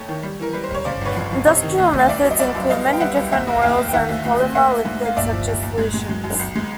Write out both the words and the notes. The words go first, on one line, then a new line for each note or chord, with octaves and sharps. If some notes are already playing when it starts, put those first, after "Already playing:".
Industrial methods include many different oils, and polymer liquids such as solutions.
Already playing: D#2 A3 C#5
D#3
G3
E3 A#4
G3 B4
C5
G3 C#5
C#3 C5 D5
G1 B4 C#5
F2
F2
C3 C#5 D#5
D#3
D2
D2
F5
G1 D5 E5
F#2
D#5
G1 D5 E5
F#2
C2 D#5 F5
B3
G5
G3 E5 F#5
C2
D#2 E5 F#5
F1
D#2 F5 G5
F1
G5
D#3 E5 F#5
D2
D2
D2
A#3 E5 F#5
A#3
G#2
A#3 F5
D#2 D5 E5
F3
D#2
D#2
G#3
G#3
G#3
F#2
B1
G#3